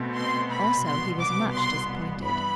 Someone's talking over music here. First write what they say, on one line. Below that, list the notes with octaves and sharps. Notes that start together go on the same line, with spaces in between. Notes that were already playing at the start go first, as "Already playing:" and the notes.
Also, he was much disappointed.
Already playing: B2 A3 C4
C6
B5
C2 B2 B3 C6
D6
C6
G2 E3 B3 B5